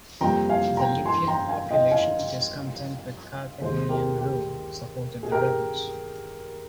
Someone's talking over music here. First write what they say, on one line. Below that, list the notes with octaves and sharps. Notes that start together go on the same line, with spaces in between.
The Libyan population, discontent with Carthaginian rule, supported the rebels.
F2 C3 G3 A#3 G5 A#5
F5 G#5
G5 A#5
G#5 C6
G5 A#5
F5 G#5
D#5 G5
F5 G#5
D#2 D#3 G#3 G#4 C5
G4 A#4
G4
G#4
G4 A#4